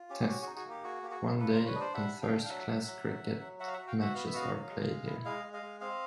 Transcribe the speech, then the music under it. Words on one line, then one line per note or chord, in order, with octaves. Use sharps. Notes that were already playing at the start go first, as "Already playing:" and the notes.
Test, One Day and First class cricket matches are played here.
Already playing: F4
C#4 G4
F#4 G4
D#4 F#4 G#4
F#4 G#4
A#3 G4
F#4 G#4
A#3 G4
F#4 G#4
A#3
A#3 A4 B4
G3 A#4 C5
B4 C#5
D4 C5 D5 D#5
G3 E5 F#5
D4
F5 G5
D4
F5
F#3 E5 F#5
F#3
F#3
F#3
F#3
F#3
F#4 E5 F#5
F5
F#4 E5 F#5
F5 G5
F#4
E5 F#5
B3 F5
E5
F#4 D#5 F5
F#3
G#3
G#3
E4
G#3 D#5 F5
G#3
D#5 F5
G#3
C4 D#5 F5